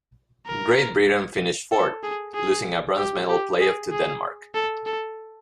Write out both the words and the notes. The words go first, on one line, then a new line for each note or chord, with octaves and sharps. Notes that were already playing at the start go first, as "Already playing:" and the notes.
Great Britain finished fourth, losing a bronze medal playoff to Denmark.
A#4
A4
G#4
G#4
G4
G4
G#4
G#4
A4
A4